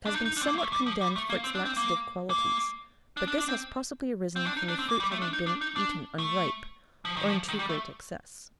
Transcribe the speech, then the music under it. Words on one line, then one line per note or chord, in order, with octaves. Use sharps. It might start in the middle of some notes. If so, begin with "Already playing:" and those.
It has been somewhat condemned for its laxative qualities, but this has possibly arisen from the fruit having been eaten unripe, or in too great excess.
D4
D#4
D#4
D4
C4
A#3
A3
G3
F3
G3
A3
A#3
C4
D4
C4
A#3
A#3
D4
D4
D4
C4
C4
D4
D#4
D4
C4
A#3
G3
A3
D4
D#4
D4
D#4
D4
A3
F3
D#3
F3
D#3
G3
A3